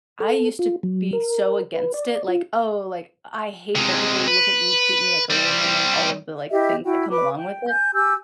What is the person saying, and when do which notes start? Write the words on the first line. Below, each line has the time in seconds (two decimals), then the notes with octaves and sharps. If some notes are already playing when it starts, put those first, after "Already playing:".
I used to be so against it, like, "Oh" like, "...I hate that people look at me, treat me like a woman" and all of the, like, things that come along with it.
0.20 A4
0.59 F4
0.83 F#3
1.13 A#4
1.74 B4
1.94 D5
2.28 F4
3.75 C3 G#3
4.28 B4
5.30 G3 C4
6.50 E4 G4 D#5 E5
6.84 E4 F#4 G5
7.10 B4 D6
7.36 G5
7.69 G#5 G6
7.94 G4 G#5 E6 G6